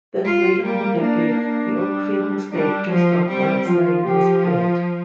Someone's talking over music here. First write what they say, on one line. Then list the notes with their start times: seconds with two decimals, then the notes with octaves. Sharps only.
Then later in the decade the Oakfield Estate just off Whaggs Lane was built.
0.24 F4
0.62 G3 A#3
1.00 A#3 D4
1.38 D4
1.76 G3
2.51 G3 D4
2.89 F3
3.28 G3 C4
3.65 F3 F4
4.03 F3 G4
4.42 F4